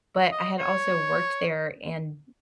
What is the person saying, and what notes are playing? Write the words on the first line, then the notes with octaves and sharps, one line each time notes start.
But I had also worked there and
D#5
C#5